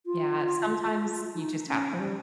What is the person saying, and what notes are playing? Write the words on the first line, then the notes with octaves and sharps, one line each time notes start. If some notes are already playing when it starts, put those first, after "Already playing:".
Yeah, sometimes you just have to.
F4
D#4
C#4
F3
G3